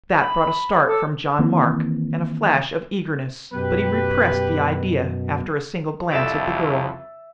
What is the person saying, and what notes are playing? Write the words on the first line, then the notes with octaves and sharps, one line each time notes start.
That brought a start from John Mark and a flash of eagerness, but he repressed the idea, after a single glance at the girl.
A5 B5
A4 C#5 D6 E6
D#3 E3 A#3 C4
F#2 B2 G4 B4
C2 F2 E5 A6 D7